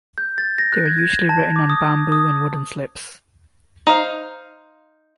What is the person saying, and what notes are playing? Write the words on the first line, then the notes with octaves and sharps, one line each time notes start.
They were usually written on bamboo and wooden slips.
G6
A6
A#6
F#6
G#6
G#6
A5
D6
D#6
D#6
D#4 C5 F5